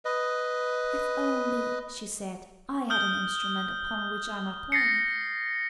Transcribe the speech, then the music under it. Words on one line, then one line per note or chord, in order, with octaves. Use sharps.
"If only," she said, "I had an instrument upon which I might play."
B4 D#5
D#6 F6 G6 G7
A6 A#6 C7 C#7